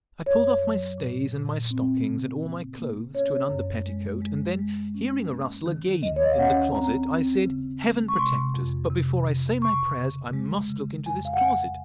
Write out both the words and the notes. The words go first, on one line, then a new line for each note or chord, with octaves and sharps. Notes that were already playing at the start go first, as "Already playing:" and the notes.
I pulled off my stays, and my stockings, and all my clothes to an under-petticoat; and then hearing a rustling again in the closet, I said, Heaven protect us! but before I say my prayers, I must look into this closet.
F#2 C#5
F#3
A#2
A#2
C4
C#3
A#3
A#3
C#4 C#5
F#2
G#3
G#3
G#3
C#4
A#3
D#3
D#2 D#5
C#5
D#5
F5
C#4 F#5
C4 A#5
C4
C#3
G#3
C#6
C3 C6
F2
C3
C3
C#3 C#6
C#3
G#3
C#3
F2 G#5
F5
F#5
F2 G#5